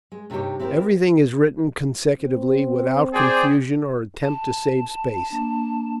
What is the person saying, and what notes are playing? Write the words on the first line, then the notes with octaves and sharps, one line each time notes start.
Everything is written consecutively, without confusion or attempt to save space.
G#3
G2 C3 G3 D#4 G4 C#5
C4 E4 G4 A4 A#4
C4
G#4 C5 D5 G5
A5
A#3 D4